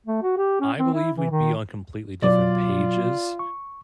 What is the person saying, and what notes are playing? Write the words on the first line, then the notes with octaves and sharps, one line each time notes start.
I believe we'd be on completely different pages,
A3
F#4
G4
C#4
C4
E4
E3
D#3
B2 F#3 F4 D5
C#6